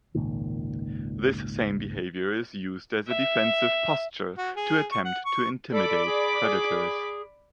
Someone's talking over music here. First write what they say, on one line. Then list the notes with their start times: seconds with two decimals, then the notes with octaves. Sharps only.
This same behavior is used as a defensive posture to attempt to intimidate predators.
0.15 G#1 C#2 A#2 D#3
3.08 E5
4.38 F#4
4.56 G#4
4.91 C#6
5.05 F#5
5.25 C#6
5.72 A4 D5 B5 D6
6.06 G#4
6.42 G#4